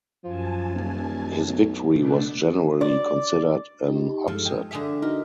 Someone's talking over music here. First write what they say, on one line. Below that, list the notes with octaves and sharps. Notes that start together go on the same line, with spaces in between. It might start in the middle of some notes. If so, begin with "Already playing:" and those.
His victory was generally considered an upset.
F#2 F3 G#5 A5
D#1
B1
B2 A3 D4
D5
D#4 G4
G2 F3 G#3 A4
G#3 G5
D3 G#4 E5
D#4 F#4 A#4